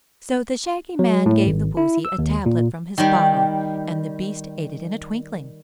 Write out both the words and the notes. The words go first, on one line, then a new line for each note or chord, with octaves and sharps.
So the Shaggy Man gave the Woozy a tablet from his bottle and the beast ate it in a twinkling.
F#3
A2
G#1
E4
E6
D#2
A#2
D#3 G3